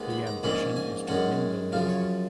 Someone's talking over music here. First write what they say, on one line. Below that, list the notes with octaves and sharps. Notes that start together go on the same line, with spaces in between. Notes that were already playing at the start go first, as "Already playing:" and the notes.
The ambition is to win the league.
Already playing: D#2 D#3 G#3 B3
B5
A#5
A#1 G#2 D#3 A#3 C#4 B5
G#5
F#2 D#3 G#3 C#4 F#5
F#2 C#3 F3 F5
C#5